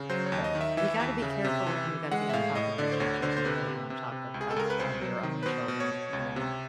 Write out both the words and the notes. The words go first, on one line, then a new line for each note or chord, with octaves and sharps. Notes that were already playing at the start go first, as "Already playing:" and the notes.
but you gotta be careful, and you gotta be on top of your teachers, and you gotta be on top of of of your own children, you know?
Already playing: C#3
F#3 C5
C#5
D#2
D#5
D#3
E5
E3 E5
D#2
C#3
C3
E3
E3
G#3 F#5
E5
A2 F5
A2 D#5
D3 D5
C5
D2 C#5
D3 C5
C5
C3 B4
C3
C3
C3
C#2
G#4
A4
C#2 A#4
B4
C2 C5
F#3
D#3
B4
B2 C5
B2
C#5
B2
C#2
C3